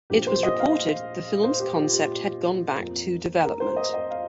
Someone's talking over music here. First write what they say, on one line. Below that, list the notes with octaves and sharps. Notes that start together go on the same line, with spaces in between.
It was reported the film's concept has gone back to development.
A#1 A#2 F3 G4
C5
D#5
F5
C5
G4
F4
G4
F2 F3 A#3
A#4
C5
D#5
D#5
F5